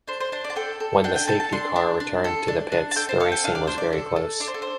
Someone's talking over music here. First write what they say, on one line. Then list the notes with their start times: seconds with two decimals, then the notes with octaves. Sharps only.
When the safety car returned to the pits the racing was very close.
0.07 D4 C5
0.20 C5
0.32 D4 C5
0.44 D5
0.50 A5
0.56 A4 G5
0.80 A4
1.04 D4 G5
1.16 G5
1.27 A4 A5
1.40 A5
1.52 D4 C6
1.76 D4
2.00 D4
2.24 A4
2.48 D4
2.72 D4
2.91 A5
2.96 A4 G5
3.09 C5
3.20 A4 F5
3.32 G5
3.44 D4 F5
3.55 D5
3.67 D4 C5
3.78 D5
3.93 A4
4.16 A4
4.40 D4 D5
4.47 C5
4.54 A4
4.62 C5